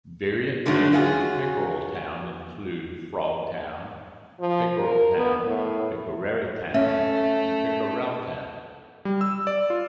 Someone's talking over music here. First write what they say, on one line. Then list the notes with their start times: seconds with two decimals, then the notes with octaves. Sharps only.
Variant names of Pickrelltown include "Frogtown", "Pickereltown", "Pickeretown", and "Pickreltown".
0.65 A#2 D3 D#3 F#3 G#3 A3
0.92 C#4 F4 F#4 G#4
4.40 F3
4.79 A#4
5.17 B3
5.46 A2
6.74 A3 C#4 E5
9.05 G3
9.21 E6
9.47 D5
9.70 F4